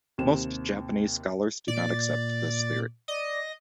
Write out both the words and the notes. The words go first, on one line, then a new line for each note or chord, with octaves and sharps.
Most Japanese scholars do not accept this theory.
D#2 C3 C4 E7
A#2 D5
D5 D#5